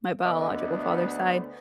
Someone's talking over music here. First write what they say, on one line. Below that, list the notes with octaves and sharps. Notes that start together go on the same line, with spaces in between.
my biological father's side.
D2 B3 D#5 E5 D6